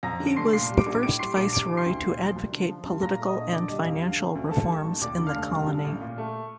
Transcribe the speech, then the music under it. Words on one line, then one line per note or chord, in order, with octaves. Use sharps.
He was the first viceroy to advocate political and financial reforms in the colony.
F2 A#5 A#6
D3
D7
F1 C6 C7
A#2 C6 C7
G3
D6 D7
A#1
A2 D6 D7
G3 C6 C7
A#1 D6 D7
C3 D6 D7
D#3
C6 C7
D2
A#2
F3
C2
D3
F3
G2
A#2 A#5 A#6
A3
D#5 D#6
A#1
D3 D5 D6
G3 D#5
F2 F5
D3 F5
A3
D2
G2 A4 A5
D#3
A1
D#2 D5 D6
D3
F5 F6
F1
G2
D3
A1
A#2
A3